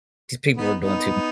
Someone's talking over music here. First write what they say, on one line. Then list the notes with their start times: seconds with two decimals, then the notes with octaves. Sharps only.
These people are doing too much.
0.57 B3 D#4
0.80 B3 D#4